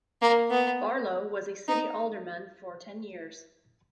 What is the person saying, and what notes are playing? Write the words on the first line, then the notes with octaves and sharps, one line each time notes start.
Barlow was a city alderman for ten years.
A#3
B3
D#4